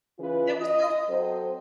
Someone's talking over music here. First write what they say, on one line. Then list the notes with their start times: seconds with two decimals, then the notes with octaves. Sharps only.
there was no"
0.19 C#3 E3 F4 G#4 B4
0.57 D#5
1.09 F#3 C4 A4 C5